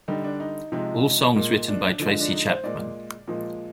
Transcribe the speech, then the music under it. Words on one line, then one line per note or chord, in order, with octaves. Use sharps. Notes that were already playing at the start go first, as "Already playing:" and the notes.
All songs written by Tracy Chapman.
D3 G3 D#4
D4
D#4
C3 F3 G#3 D#4
A#2 G#3
D4
D3 F3 G#3
D4
D#4
C5
A#2 G#3 D5
A#2 F3 G#3